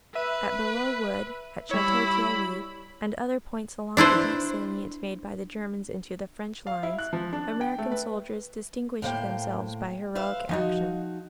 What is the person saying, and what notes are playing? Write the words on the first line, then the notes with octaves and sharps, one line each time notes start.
At Belleau Wood, at Chateau-Thierry, and other points along the deep salient made by the Germans into the French lines, American soldiers distinguished themselves by heroic action.
B4 E5 D#7
G3 E4 C#5 B5
D4 E4 B4 C5
F5
E4
F#6
F3
D4
G5
A3
B4
A2 A#3 C5 G5
B4 C5 E5 F5
F3 D#4 F#4